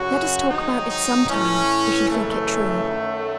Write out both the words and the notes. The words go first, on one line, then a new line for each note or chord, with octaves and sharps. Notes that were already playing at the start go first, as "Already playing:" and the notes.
'Let us talk about it sometimes, if you think it true.
Already playing: F#2 C#3 F#3 F#4
G#2 D#3 F#3 D#4
D#4
A2 E3 C#4
F#2 C#3 E3 A3
F#2 D#3 F#3